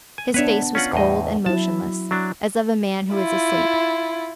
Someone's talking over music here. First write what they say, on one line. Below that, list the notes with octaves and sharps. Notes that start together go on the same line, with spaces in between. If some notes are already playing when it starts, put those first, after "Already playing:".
His face was cold and motionless, as of a man who is asleep.
G#5
B3 D4 B4 C#5 E5
C#4 F4 F#5
E2 A2 D#5
F#3 E4 A5
F#3 D4
E4 F4